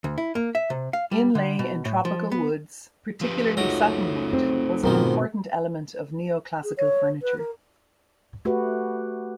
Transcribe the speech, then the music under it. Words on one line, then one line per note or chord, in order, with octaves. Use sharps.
Inlay in tropical woods, particularly satinwood, was an important element of Neo-classical furniture.
D2
E4
A#3
E5
C3
F5
G3
D3
B2
A2
F3
B3
F3 G4 B4
C#2 F#3 A3 D#4 A#5
C4
G#2 B2 D#3 F3 C4 A#4
G#4
C#5
B4
A#4
A3 F#4 G4 B4